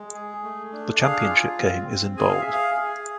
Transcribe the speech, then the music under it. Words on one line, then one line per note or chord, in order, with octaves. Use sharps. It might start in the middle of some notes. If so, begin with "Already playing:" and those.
The championship game is in Bold.
Already playing: G#3
G#4
A3
D4
G#4 F5
F4
C4
C4
G#4 G#5
F5
E5
G#4
F5
G#4